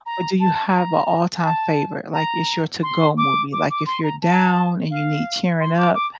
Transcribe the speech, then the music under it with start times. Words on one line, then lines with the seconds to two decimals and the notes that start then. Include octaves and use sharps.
but do you have a all-time favorite, like, it's your to-go movie, like, if you're down and you need cheering up
0.05 A#5
0.39 A5
0.74 A#5
1.44 A5
2.12 A#5
2.82 C6
3.17 D6
3.52 D6
3.70 D6
3.86 C6
4.03 A#5
4.21 A5
4.90 F5
5.60 C6
5.77 D6
5.94 D6